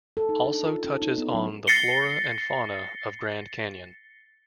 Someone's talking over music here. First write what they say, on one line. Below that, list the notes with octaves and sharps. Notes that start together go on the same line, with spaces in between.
Also touches on the flora and fauna of Grand Canyon.
A4
D#4
D4
F4
C#4
D#4
B3
F#3
A6 A#6 C7 C#7 G7